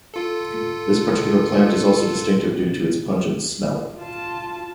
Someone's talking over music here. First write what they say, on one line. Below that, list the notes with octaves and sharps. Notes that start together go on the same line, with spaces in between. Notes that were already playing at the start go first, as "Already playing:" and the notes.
This particular plant is also distinctive due to its pungent smell.
F4 A4
F4 A5